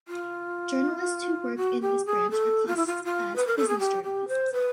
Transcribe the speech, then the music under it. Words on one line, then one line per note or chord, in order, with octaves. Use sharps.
Journalists who work in this branch are classed as "business journalists".
F4
F#4
G4
G#4
A4
F4
E4
F4
F4
B4
A#4
A4
G#4
G4
G4
C5
B4